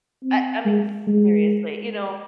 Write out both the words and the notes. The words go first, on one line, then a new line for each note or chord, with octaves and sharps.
I I mean, seriously, you know?
C4
G#3
G#3